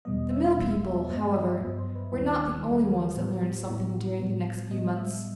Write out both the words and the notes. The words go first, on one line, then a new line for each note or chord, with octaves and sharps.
The mill people, however, were not the only ones that learned something during the next few months.
E2 B2 G3 B3 D#5
E5
E2 B2 G3 B3 E5
E5
E5
E5
G2 F#3 B3 D#5
E5
G2 F#3 B3 D#5
C5
B4
D#2 D#3 G3 E4
D#2 D#3 G3
A2 E3 G3 B3 F#4
G4
A2 E3 G3 B3 E4
G4
F#4
A2 G3 B3 F#4
A2 G3 B3 D#5
E5